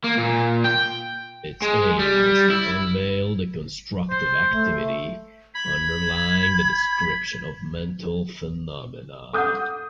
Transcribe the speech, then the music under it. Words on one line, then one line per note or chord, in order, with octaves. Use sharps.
Its aim is to unveil the constructive activity underlying the description of mental phenomena.
A#3
A#2
G5
G#3
G3
E4
C5
A3
B5 G#6
A4 F#5 D6 D#6 G6